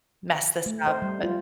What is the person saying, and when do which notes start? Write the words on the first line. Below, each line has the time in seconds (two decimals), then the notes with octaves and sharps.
mess this up, and
0.66 A3
0.87 C5
1.02 G3
1.23 F4